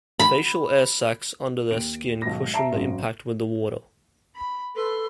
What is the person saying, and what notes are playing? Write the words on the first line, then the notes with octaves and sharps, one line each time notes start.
Facial air sacs under their skin cushion the impact with the water.
B5
D#2 D7
B1 G#2 D#3 A#6
E5 A5 A#5 C7 D7
G#1 F#2
B5
A4 B4 C6